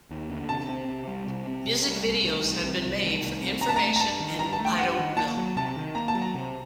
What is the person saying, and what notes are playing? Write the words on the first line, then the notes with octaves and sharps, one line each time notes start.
Music videos have been made for "Information" and "I Don't Know".
D#2
D3
C3 A5
C4
C3
G3
C3
C4
C3
G3
C2
D#3
C2
C3
C2
D#3
C2
C3
G2 A#5
A5
A3 A#5
A#5
G2 A5
D#3
G2 A#5
A5
A3
G5
G2 F#5
D#3
A#3 A5
F#3
C3 A5
D#3
A#3 A#5
A5
F#3
A#5
C3